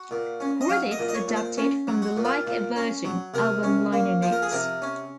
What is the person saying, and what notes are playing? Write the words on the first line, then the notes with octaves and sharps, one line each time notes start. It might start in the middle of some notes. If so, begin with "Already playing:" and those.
Credits adapted from the "Like a Virgin" album liner notes.
Already playing: F#4
A#2
C#4
D#5
F#3 F5
D#5
A#2
D#5
C#5
A#2
C5
C#4
F#3
F#4
A#2
F4
A#2
C#4
F#3
C3 A#4
C#4
A#3
F3 C5
A#4
G#4
C3 A#4
C#4